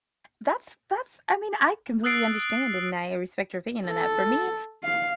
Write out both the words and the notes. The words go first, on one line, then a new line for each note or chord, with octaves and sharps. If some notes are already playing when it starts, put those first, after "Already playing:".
That's that's I mean, I completely understand, and I respect your opinion on that For me,
D#6 E6 F#6 A6 C7 D7
A4
F5